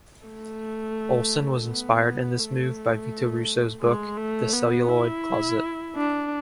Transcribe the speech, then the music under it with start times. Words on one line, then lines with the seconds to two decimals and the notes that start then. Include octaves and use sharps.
Olson was inspired in this move by Vito Russo's book, "The Celluloid Closet".
0.24 A3
1.67 B3
2.39 A3
3.82 G#3
4.17 A3
4.53 B3
4.89 E4
5.96 D4